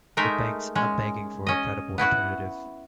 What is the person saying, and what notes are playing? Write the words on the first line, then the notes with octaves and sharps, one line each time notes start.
The banks are begging for a credible alternative.
G#3 A3 D#4 A#4 E5
G#3 C#4
C#4 D#5
B3 E4 F#4 F#5